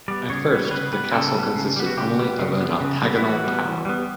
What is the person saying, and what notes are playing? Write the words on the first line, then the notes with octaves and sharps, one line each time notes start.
At first the castle consisted only of an octagonal tower.
G3 B3 D5
C#3 C#5
G3 B3
C#5
C#3 B4
G3 B3 B4
C#3 A4
G3
B3
C#3
G3 B3
F#4
C#3 G4
G3 B3
C#3
G3 B3
C#3
G3 B3
E4
E3 F#4
G3 B3
E3
G3 B3